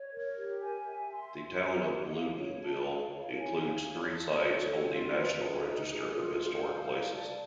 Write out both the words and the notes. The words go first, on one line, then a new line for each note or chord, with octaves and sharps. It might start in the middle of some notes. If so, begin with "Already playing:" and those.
The town of Loudonville includes three sites on the National Register of Historic Places.
Already playing: C#5
A#4
G4
G#5
E5
C6
E5
C5
G4
F5
C#5
A5
F5
C#5
G#5
F5
C#5
A5
C#5
A4
F4
B4
G#4
D#4
G#4
F4
C5
F5
D5
A5